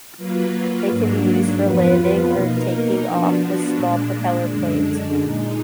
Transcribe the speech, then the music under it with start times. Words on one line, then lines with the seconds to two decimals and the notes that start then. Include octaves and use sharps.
They can be used for landing or taking off with small propeller planes.
0.17 F#3 A#3 F4 B4
0.90 G#2 F#3 A#3 D4
1.61 F2 F3 B3 F4 B4
2.33 B2 A#3 D#4 A#4
3.05 F3 B3 D4 F#4
3.76 A#2 G#3 D4
4.48 F#2 D3 G#3 D4
5.19 A#2 G#3 D#4